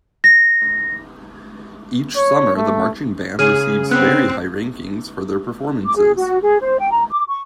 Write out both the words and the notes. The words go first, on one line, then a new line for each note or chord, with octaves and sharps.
Each summer the marching band receives very high rankings for their performances.
A#6
C#5
A3
C#3 G#4 F6 D#7
B3 C4 F#6
D6
G#4
F#4
G#4
C5
G5
A#5
D6
C#6